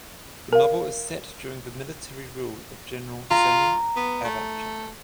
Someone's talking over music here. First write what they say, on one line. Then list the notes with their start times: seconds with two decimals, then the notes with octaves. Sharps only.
The novel is set during the military rule of General Sani Abacha.
0.53 A#4 F5
3.31 F4 A#5
3.96 B3
4.24 A3